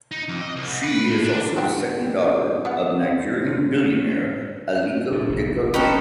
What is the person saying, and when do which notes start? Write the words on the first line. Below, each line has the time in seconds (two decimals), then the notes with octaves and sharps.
She is also the second daughter of Nigerian billionaire Aliko Dangote.
0.12 D#4
0.29 F2
0.41 D#5
0.56 C2
0.84 B4
1.08 A2
1.24 D4
1.56 D4 F#4 G4
2.65 B3 F4 F#5
5.12 A#2
5.29 F1 B1
5.74 C4 C#4 D#4 G4 A4 B4